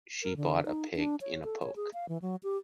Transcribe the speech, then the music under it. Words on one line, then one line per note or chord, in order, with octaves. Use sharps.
She bought a pig in a poke.
A#4
D3
D#4
D4
C#5
A4
C#5
G#4
F5
E3
F#3
G4